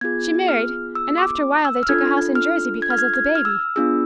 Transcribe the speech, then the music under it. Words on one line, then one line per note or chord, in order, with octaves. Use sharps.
She married, and after a while they took a house in Jersey because of the baby.
B3 F4 G#4 G#6
F6
E6
D6
E6
F6
D4 F4 A4 G#6
F6
G#6
F6
G#6
G#6
F6
E6
B3 D4 F4 G#4 E6